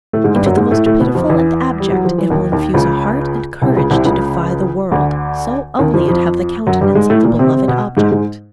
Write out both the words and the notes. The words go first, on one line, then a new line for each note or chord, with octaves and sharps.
Into the most pitiful and abject it will infuse a heart and courage to defy the world, so only it have the countenance of the beloved object.
A2 A3
G#2 G#3
G2 G3
F#2 F#3
G#2 G#3
A2 A3
A2 A3
B2 B3
F2 F3
E2 E3
G3
F#3
F3
E3
D#2 D#3
D#2 D#3
C#2 C#3
C2 C3
C#2 C#3
C2 C3
C#2 C#3
D2 D3
D#2 D#3
F2 F3
F2 F3
F#2 F#3
G2 G3
G#2 G#3
A2 A3
A#2 A#3
C3 C4
C3 C4
B2 B3
G#2 G#3
G#2 G#3